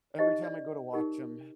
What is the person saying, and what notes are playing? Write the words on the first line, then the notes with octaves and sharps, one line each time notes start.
every time I go to watch 'em,
D#4 G4 C5 D#5
D5
D#4 G4 A#4